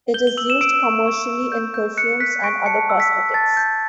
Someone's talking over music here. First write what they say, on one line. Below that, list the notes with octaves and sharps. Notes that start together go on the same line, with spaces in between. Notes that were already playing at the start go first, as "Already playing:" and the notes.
It is used commercially in perfumes and other cosmetics.
G6 G7
G7
E6 F#7
E7
E6 D7
C#6
C#6
E6
G6
G6
F#6 C#7
F#6 B6
C#6 D7
A5 C#7
E6
B6
E6
A5 A6
G6